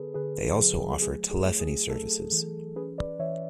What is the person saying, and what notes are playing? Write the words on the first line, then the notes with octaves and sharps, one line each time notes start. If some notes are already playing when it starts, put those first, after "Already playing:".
They also offer Telephony services.
Already playing: D3 B3 G#4 A4 B4
D3 G#4 B4
F#3 G#4
A3 G#4
G#4
A3
G#4
A3 A4
E3
C#4 G#4 B4
B4 D5
E3 C#5 E5